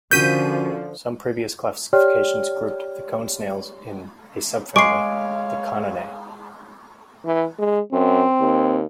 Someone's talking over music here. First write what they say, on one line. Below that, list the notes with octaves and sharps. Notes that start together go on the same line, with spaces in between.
Some previous classifications grouped the cone snails in a subfamily, the Coninae.
D3 F3 C#4 F#4 A#4 G6 B6 D#7
G4 C#5 D5 G5 F6
G#3 C#5 F5 C#6 D6 C7 D7
E3
G#3
F#2 C4
D#2